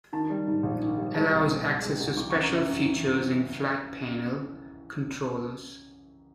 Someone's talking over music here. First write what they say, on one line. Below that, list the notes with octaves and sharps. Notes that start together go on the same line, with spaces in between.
Allows access to special features in flat panel controllers.
D#3 A5
G3
G#2
A#1
D#3
G3
G#3 A5
C2
B2
C2
G#3
C2
E3 D6
C#6
F#2
A#5
C#3 E5
F#2
E3
F#2